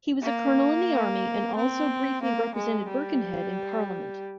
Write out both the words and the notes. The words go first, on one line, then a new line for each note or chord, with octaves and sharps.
He was a colonel in the army and also briefly represented Birkenhead in Parliament.
A#3
C4
A#3
G#3
G3